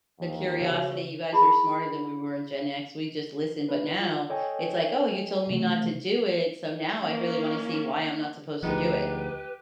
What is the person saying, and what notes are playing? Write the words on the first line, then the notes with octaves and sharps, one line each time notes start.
The curiosity, you guys are smarter than we were in Gen X, we just listened, but now it's like, "Oh, you told me not to do it, so now I really wanna see why I'm not supposed to do it,
D#2 E3
C#3 F#4 C#5 E5
E4 G#4 B5
D4 B4
F4
A4 C#5 D#5 G5 G#5
C3 E3 A3
A#3 C#4
D2 F3 G#3 B3 D#4 G4 B4